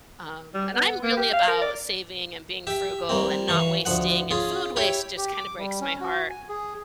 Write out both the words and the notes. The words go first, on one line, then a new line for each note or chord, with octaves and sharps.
Um, and I'm really about saving, and being frugal, and not wasting, and food waste just, kind of, breaks my heart.
G3
B3
A#3
G4
F5
A#4
D5
G4 E5
G3 A#3 C4
E3 F5 C#6
D2 F3 F#5
C#4 F4 G#4
E4 G4 C#5
G4
D6
G3
C#4
F#4
G#5
G#4